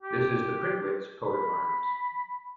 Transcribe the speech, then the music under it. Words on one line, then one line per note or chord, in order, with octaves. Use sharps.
This is the Prittwitz coat of arms.
G4
B5